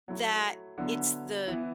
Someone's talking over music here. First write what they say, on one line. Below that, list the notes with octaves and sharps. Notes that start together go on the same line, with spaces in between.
that it's the
F#3 A3 E4
D3 F#3 B3 E4
E3 B3 E4